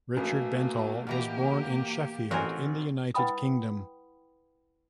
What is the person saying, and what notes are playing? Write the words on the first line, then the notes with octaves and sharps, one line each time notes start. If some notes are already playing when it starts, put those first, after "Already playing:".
Richard Bentall was born in Sheffield in the United Kingdom.
A#1 A3 A#3 F#4 B4 G#5
B2 E3 A#3 G4 A#5 F6
A1 C4 F#4 A#4 G#5
E4 B4 F#5 G5 B5 D#6